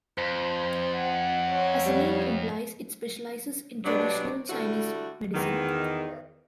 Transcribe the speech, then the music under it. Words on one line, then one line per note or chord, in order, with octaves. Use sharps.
As the name implies, it specializes in traditional Chinese medicine.
F2 C5
F#5
C#5
G3
B2 F#3 G3 D4
D3 G3 A3 E4 F#4
E2 D#3